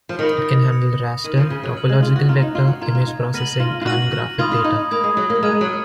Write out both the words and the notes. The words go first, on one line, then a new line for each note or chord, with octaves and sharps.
It can handle raster, topological vector, image processing, and graphic data.
F3
D#3 B5 D#6 A#6 C#7 F7
B5 D#6 A#6 C#7 F7
D#3 F6 G#6 D#7 F#7
F3
C#3
F#3
F6 G#6 D#7 F#7
G#3
F4
F#4
F4 A#5 F6 G#6
D#4
F4
F#4
F4 A#5 F6 G#6
F4
D#4
B3 F6 A#6 D#7 F#7
F4
F4
F#4 F6 A#6 D#7 F#7
F#4
F4 B5 D#6 G#6
F4
D#4
A#3 B5 D#6 G#6
G#3
F#3
A#3
G#3 A#5 F6 G#6 D#7
F#3